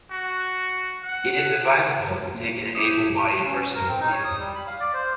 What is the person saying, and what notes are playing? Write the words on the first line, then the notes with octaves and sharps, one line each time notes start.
It is advisable to take an able-bodied person with you.
F#4
F#5
A#3
E4 G4 D6 D#6
C#4
A#4
C4
D#4
C#5
D#6
G3
B5
F5
D5
C5